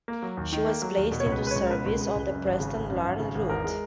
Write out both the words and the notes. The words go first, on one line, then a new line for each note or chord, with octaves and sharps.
She was placed into service on the Preston - Larne route.
A#3
F#3
D#2
D#3
A#3
F#3
D#2
B2
C#5
C#2
B4
G#3
B4
C#5
C#2
A#4
B2 B4
C#2
G#3
C#2
F#2
G#1
C#3
G#1
F#2
G#1
C#3
G#1
E2 A#4
G#3